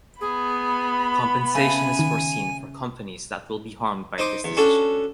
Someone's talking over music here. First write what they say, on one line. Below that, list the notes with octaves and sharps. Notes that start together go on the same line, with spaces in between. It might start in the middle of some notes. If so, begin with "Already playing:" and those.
Compensation is foreseen for companies that will be harmed by this decision.
B3 G#4 B5
C#3 A3 G#5
D#3
D#4 C5 D6
E2
C#4 D4 F#4 A4